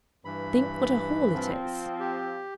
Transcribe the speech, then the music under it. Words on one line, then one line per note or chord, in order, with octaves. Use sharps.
Think what a haul it is!'
G2 E3 B5
F3 C4
G4